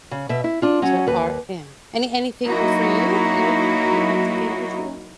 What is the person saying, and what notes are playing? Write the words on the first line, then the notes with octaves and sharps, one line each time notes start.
to art, yeah. Any anything for you that you would would like to get into?
C#3
B2 E5
E4
D4 F4
F#3 C#4
D#2 B4
F#3 A#3 D#4 E4 F#4